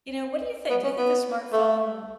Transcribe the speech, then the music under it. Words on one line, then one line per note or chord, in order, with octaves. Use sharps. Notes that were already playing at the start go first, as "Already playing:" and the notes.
you know, what do you think? Do you think the smartphone
B3
C#4
B3
A3